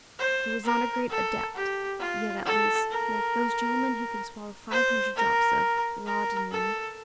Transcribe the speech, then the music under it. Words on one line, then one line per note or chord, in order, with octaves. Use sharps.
He was not a great adept--yet, at least--like those gentlemen who can swallow five hundred drops of laudanum at a sitting.
C5
A#4
A4
G4
F4
A4
A#4
C5
A#4
A#4
A4